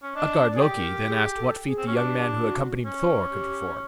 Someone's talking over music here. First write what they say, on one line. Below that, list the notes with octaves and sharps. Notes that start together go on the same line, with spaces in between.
Utgard-Loki then asked what feat the young man who accompanied Thor could perform.
C#4
D4 D#5
D5
G#4
G4
A#4
G#4
A4
G#4
C4
C#4 F#4
D4 G4
F#4
C#4
G4